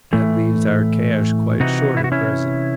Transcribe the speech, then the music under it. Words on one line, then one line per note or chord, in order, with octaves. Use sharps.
That leaves our cash quite short at present.
A2 E3 A3
C3 E3 D#4 F#4
E4
F#4
C#4 E4